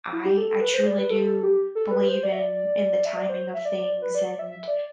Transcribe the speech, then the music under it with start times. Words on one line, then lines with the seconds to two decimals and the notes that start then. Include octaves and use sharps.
I I truly do believe in in the timing of things, and,
0.13 E4
0.25 G4
0.37 A4
0.50 A4
0.61 B4
0.74 C5
0.86 D5
0.98 B4
1.10 A4
1.26 A4
1.43 G4
1.75 A4
1.91 B4
2.08 C5
2.23 D5
2.32 E5
2.39 D5
3.05 E5
3.17 D5
3.29 C5
3.54 E5
3.65 D5
3.78 D5
4.02 B4
4.15 D5
4.27 D5
4.39 E5
4.51 E5
4.68 D5